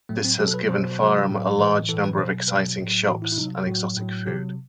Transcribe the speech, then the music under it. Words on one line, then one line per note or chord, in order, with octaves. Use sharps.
This has given Farum a large number of exciting shops and exotic food.
A2 F#3 A3
C4
B2 F#3 G4
A4
B4
B2 F#3 C5
C3 F#3
A2 F#3
A2 E3 B4
A2 E3 A4
B4
B2 F#3 C5
B2 F#3 B4
A2 F#3
A2 E3 F#4
E4
E4
C3 F#3 D#4
A2 F#3 F#4
A2 F#3
C3 F#3 G4